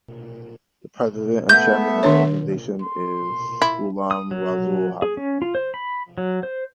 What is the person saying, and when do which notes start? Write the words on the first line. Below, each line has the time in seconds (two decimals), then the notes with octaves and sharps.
The president and chairman of the organisation is "Ghulam Rasool Hami".
1.49 A3 B3 E5 G6
2.03 D#3 D4 C#5
2.82 C6
3.62 E4
4.11 D#6
4.31 F#3
5.02 G#4
5.17 C#4
5.42 F4
5.55 C5
5.74 B5
6.18 F#3
6.43 C5